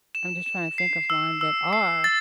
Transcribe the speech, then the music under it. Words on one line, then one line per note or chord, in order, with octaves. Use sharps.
I'm just trying to think of one that are
E7
E7
C7
E6
E6
C7
A6